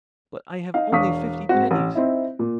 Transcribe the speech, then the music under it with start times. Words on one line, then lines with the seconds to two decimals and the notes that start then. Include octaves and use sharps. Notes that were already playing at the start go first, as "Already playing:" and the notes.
But I have only fifty pennies.
0.74 D#4 F5
0.92 E1 D4 F5 C#6 D#6 B6
1.49 G#2 C4 F#4
1.71 A1
1.95 C4 D#4 E4
2.39 A#2